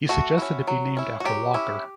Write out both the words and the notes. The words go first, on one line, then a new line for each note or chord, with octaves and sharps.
He suggested it be named after Walker.
A3 F#4
C#4 E4
F#3
C#4 E4
F#4
F#3 G4
C#4 E4